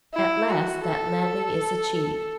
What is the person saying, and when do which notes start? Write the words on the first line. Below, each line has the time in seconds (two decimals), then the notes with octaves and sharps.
At last that landing is achieved.
0.14 E4
0.49 F#4
0.84 A4